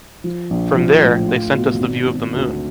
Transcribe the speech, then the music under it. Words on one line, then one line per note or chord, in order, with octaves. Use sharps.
From there, they sent us the view of the Moon.
F3
A#1
F3
A2
F4
B2
G#1
G#1
D2